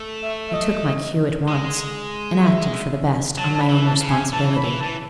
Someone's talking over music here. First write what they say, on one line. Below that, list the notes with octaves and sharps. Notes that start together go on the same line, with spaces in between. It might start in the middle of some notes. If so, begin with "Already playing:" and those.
I took my cue at once, and acted for the best on my own responsibility.
Already playing: A3
E5
E5
D#5
G#3
E5
F#3 A5
A5
B5
E3
A5
C#3
G#5
E3 A5
B5
E3
A5
E3